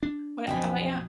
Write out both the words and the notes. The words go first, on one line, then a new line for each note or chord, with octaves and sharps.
What how about you?
D4
B1 F2 B2 F3 G5 G#5 B5